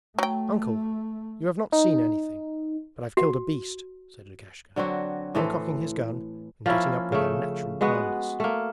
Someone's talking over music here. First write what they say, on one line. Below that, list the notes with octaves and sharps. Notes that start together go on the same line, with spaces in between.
Uncle, you have not seen anything, but I've killed a beast,' said Lukashka, uncocking his gun and getting up with unnatural calmness.
F#3 A3 G5
D#4
F#4
D3 F#3 C4 F#4
A2 E3 A4 C5
F3 A#3 C#4 E4
C#3 A3
G#3 B3 F#4
A3 A#3